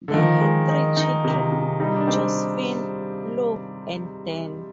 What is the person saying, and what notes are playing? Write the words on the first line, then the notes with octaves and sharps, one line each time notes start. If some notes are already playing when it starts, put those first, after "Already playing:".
They had three children: Josephine, Lou and Dan.
D3
D#3 F3
G#3
D#4
D#4
C3
C3
G3 D#4
D4
C4 D#4